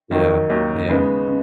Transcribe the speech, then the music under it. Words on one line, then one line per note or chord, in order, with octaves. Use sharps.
Yeah. Yeah.
D#2 D#3 F#3 A#3 D#4
D#2 D#3 F#3 A#3 D#4
C#3 G#3 B3 D#4
C#3